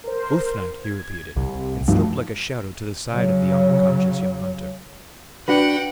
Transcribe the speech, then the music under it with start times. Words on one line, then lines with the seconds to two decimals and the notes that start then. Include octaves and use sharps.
"Wolf night!" he repeated, and slipped like a shadow to the side of the unconscious young hunter.
0.04 A#4 C5
0.84 G#6
1.36 C2 C3
1.88 G2 F3 A3 D#4 F#4
3.12 C#3 F#3
5.48 D4 F#4 B4 F#5 G5